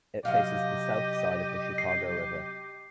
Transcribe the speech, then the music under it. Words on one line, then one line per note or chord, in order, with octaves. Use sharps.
It faces the south side of the Chicago River.
C3 F#3 G4 D#5 F5
C7